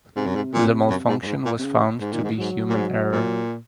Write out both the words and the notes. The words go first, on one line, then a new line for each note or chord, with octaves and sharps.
The malfunction was found to be human error.
G#2 C3
F#2
G#2
A#2
F#2
G#2
F#2
G#2
A#2
C3
C#3
G#2
A#2 D#3
G#2
G#2 F#3
A#2
G#2
A#2